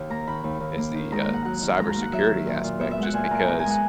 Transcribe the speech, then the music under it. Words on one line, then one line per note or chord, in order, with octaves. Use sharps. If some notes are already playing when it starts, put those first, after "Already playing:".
is the, uh, cybersecurity aspect just because
Already playing: D#2
A#3 A#5
D#3 B5
D#2
D#2
A#3
D#3
G#2 A#5
A#5
A#3
F#5
F#3 F#5
D#3
G#2 A#5
A#5
A#3
F#5
F#3 E5
D#3
A#2
A#2
B3 E5
E5
G#3
F#5
A#2 G#5
A#2 A#5
B3 A#5
G#5
G#3
F#5